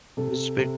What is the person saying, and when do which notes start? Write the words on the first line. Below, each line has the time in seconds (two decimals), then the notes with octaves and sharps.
It's be
0.17 C3 A4
0.59 C3